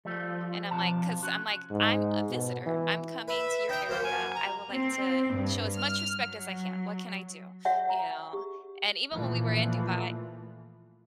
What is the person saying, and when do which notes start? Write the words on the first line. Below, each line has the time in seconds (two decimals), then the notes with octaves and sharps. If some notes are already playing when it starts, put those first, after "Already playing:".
and I'm like, 'cause I'm like, "I'm a visitor, I'm coming to your area, I would like to show as much respect as I can, what can I do?" You know? And even when we were in Dubai
0.05 F3 G3 A3
0.71 B1 C3 A5
1.23 C#4 F#4
1.70 G#2
2.31 B2
2.66 E3
3.28 B4 E5
3.69 D#4 G5 A#5
3.89 F#2 A#3 C5
4.03 G#5
4.35 A#5
4.71 C4
5.34 G2
5.78 F6
6.18 F#3
7.65 F#4 C#5 E5 F#5 G#5
7.89 G#5 A#5
8.33 G4
9.12 A#2 E3 F3 A3